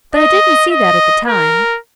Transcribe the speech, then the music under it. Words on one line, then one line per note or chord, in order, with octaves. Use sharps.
But I didn't see that at the time.
D#5
D#5
A#4